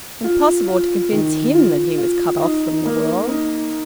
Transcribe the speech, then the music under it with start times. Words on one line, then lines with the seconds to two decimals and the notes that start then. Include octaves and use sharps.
Impossible to convince him that he was cut off from the world!
0.24 F4
0.67 F4
1.12 D#3
1.54 F4
1.98 F4
2.41 D#4
2.85 A#3
3.29 D#4